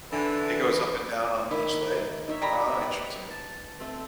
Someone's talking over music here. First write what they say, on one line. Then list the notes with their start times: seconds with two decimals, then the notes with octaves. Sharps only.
It goes up and down on each leg? Ah, interesting.
0.11 D3 E3
1.51 D#3 E4
2.28 D#4 C#5 E5
2.42 G3 A#5 B5
2.82 B4
3.31 A5
3.80 A3 C4